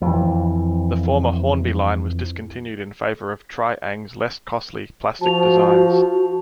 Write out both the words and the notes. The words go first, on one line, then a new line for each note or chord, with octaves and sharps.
The former Hornby line was discontinued in favour of Tri-ang's less costly plastic designs.
F2 E3
F3 F#4 A5 F7